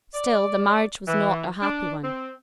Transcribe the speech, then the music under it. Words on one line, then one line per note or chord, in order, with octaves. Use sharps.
Still the marriage was not a happy one.
D5
E3
D4
C4